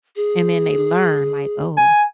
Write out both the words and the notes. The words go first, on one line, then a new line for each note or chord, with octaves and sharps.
and then they learn, like, "Oh"
G#4
G#5